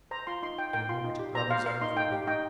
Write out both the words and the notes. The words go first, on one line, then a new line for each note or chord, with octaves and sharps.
In a moment Robin's arms were about him.
C5 A#5
F4 C6
D#4 C6
D#4 G5
A#4 G5
F4 C6
D#4
G4
C5 A#5
C5 F5
A#4 F5
D#4 C6
D#4 G5
G4
D#4 G5